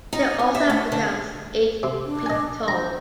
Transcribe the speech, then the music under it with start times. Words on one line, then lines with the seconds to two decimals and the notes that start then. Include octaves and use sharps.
She also becomes eight feet tall.
0.13 D#4
0.39 G#5
0.55 E5
0.70 A3
0.92 D3
1.83 C3
2.05 D4
2.26 D#5 G#5
2.68 C5 A#5